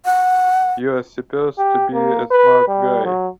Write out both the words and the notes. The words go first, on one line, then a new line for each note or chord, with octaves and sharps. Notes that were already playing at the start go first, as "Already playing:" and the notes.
You're supposed to be a smart guy!
F#5
G4
A#3
B4
G3
F#3